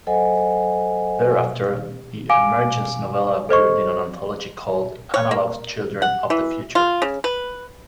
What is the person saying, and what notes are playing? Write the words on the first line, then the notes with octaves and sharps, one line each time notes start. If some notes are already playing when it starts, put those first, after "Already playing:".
Thereafter the "Emergence" novella appeared in an anthology called "Analog's Children of the Future".
F#3 A4 C5 D#5 F#5 G#5
F5 G#5 D6 D7
A4 C5 D#5 C#6
C#5
A#3
F#5
E3
F4
C#3
B4